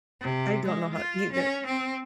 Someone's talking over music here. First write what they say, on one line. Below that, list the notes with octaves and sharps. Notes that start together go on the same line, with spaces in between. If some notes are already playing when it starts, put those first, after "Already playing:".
I don't know how either.
C3
G#3
F4
C#4
C4